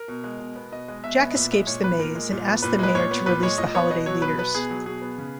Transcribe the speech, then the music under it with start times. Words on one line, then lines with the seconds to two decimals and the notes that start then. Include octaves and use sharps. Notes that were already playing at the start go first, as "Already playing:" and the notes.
Jack escapes the maze and asks the mayor to release the holiday leaders.
Already playing: A#4
0.08 B2
0.24 G#3
0.39 B2
0.56 B3
0.72 B2 D#5
0.88 G#3
1.04 B2 E5
1.20 B3
1.31 D#5
1.35 A#2 E5
1.51 G#3 E5
1.67 A#2 C#5
1.84 B3 B4
1.99 A#2 A#4
2.15 G#3
2.32 A#2
2.47 B3
2.62 A#2 B4
2.79 G#3 B4
2.95 A#2 C#5
3.11 B3
3.26 A#2 B4
3.43 G#3 C#5
3.58 A#2 D#5
3.74 B3 C#5
3.90 B2 D#5
4.06 F#3 C#5
4.22 B2 B4
4.38 B3 B4
4.54 B2 G#4
4.70 F#3
4.86 B2 G#4
5.02 B3
5.18 C#3